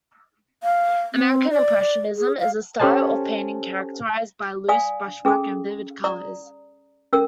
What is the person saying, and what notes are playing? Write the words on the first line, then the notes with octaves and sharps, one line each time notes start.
American Impressionism is a style of painting characterized by loose brushwork and vivid colors.
F5
C4
D5
G#4
F5
C#4 G4 A4 C5 G#5 A5
D5 F5 G#5 D#6
C#4 G#4 A4 D#6
D5 A#5 D#6
C#4 A4 A#4 E6